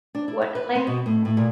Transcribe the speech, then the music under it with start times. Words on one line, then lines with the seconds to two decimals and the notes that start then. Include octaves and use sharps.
what like,
0.15 D4
0.28 E4
0.42 E5
0.55 B4
0.75 C4
0.87 B2
1.06 A2
1.25 A2
1.37 A#2